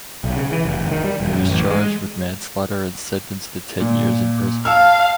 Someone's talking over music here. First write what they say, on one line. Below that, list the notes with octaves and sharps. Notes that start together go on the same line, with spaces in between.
He was charged with manslaughter and sentenced to ten years in prison.
B1
C#3
E3
F1
G#1
D#3
G3
E1
F#2
A1
G#3
A#2
F5 A5 E6 F6